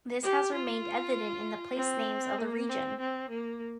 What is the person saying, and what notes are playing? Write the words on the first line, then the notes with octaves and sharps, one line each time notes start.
This has remained evident in the place names of the region.
G4
F4
C4
A#3
C4
C4
A#3